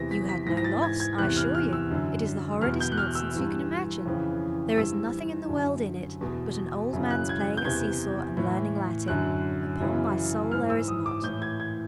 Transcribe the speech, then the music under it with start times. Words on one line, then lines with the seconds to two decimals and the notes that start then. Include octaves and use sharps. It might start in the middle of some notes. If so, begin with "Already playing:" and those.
"You had no loss, I assure you; it is the horridest nonsense you can imagine; there is nothing in the world in it but an old man's playing at see-saw and learning Latin; upon my soul there is not."
Already playing: E2 C3 E3 A#6
0.11 B6
0.29 B6
0.47 G#2 E3 A#6
0.57 A#6
0.64 A6
0.82 G#6
1.00 G#6
1.18 E2 C3 E3 F#6
1.37 F6
1.55 F6
1.73 E6
1.90 F#2 D3
2.61 E2 B2 F6
2.80 G6
2.92 F#6
2.98 F6
3.15 E6
3.34 G2 E3
4.06 F2 C#3 E3
4.77 G2 E3 E6
5.49 F#2 D3
6.21 E2 B2
6.93 F#2 C#3 E3
7.10 F#6
7.29 G#6
7.57 G6
7.65 E2 C3 E3 G#6
8.37 A2 E3
9.08 F#2 D3 F#6
9.80 F#2 C#3 E3
10.51 G#2 E3 F6
10.70 E6
10.88 D#6
11.06 D6
11.23 A2 G6
11.28 E3
11.42 G#6
11.60 G#6